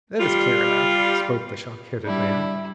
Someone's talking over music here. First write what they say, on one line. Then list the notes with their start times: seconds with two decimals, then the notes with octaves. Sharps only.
"That is clear enough," spoke the shock-headed man.
0.20 G3 F4
2.05 G3 D4 E4